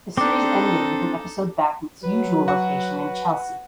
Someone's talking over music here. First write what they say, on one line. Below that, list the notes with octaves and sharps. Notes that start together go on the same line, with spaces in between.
The series ended with an episode back in its usual location in Chelsea.
C4 D4 D#4 A4 D6
F#3 B4
F#4